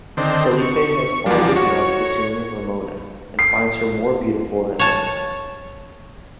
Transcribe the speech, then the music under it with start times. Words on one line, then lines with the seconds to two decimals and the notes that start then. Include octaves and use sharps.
Felipe has always loved the senior Ramona and finds her more beautiful than ever.
0.17 D3 D#3 C4
0.62 C#6
1.26 E2 F3 G3 D4
1.56 F#4 C#5
3.39 C7
4.79 C#5 A5